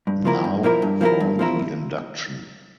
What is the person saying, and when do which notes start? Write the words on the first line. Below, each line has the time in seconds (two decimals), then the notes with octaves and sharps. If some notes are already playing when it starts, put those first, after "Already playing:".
Now, for the induction.
0.07 G2
0.25 F3 A#3 E4 A#4
0.44 G2
0.64 F3 A#3 E4 A#4
0.82 G2
1.01 F3 A#3 E4 A#4
1.20 G2
1.39 F3 A#3 E4 A#4